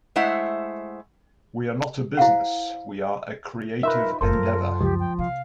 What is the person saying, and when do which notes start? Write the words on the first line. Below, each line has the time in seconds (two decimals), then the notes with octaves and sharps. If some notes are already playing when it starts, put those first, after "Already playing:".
We are not a business, we are a creative endeavour.
0.16 G#3 A3 E4 C5 E5 F#5
2.17 E4 C5 F5 F#5
3.83 D#4 F4 A#4 B4 E5
4.21 F#1 F4 A4 A#4 C5
4.33 F#2
4.80 C#2 F3 G4
5.00 G5
5.19 C3 F5